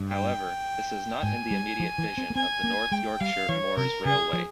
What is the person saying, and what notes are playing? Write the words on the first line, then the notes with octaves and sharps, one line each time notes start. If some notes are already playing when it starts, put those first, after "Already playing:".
However, this is not in the immediate vision of the North Yorkshire Moors Railway.
Already playing: G2
G5
G#2 G#5
G3
F3
E3
C4
A#3
C4 G#5
A#3
G#3 G5
G3 F5
E3 C#5
C3 A#4
C#3 G#4
F3